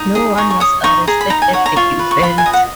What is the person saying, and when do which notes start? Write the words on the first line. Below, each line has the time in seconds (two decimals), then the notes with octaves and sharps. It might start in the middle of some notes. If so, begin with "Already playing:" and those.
No one was arrested at the event.
Already playing: D#4
0.15 G#4
0.38 D#4 C#6
0.50 C#6
0.60 C#5 D#6
0.84 D#4 C#6
1.07 G#4 A#5
1.21 B5
1.30 D#4 A#5
1.42 G#5
1.53 C#5 F#5
1.66 A#5
1.76 F4 C#6
1.99 B4
2.11 C#6
2.22 F4 B5
2.38 G#5
2.46 D#5
2.53 F#5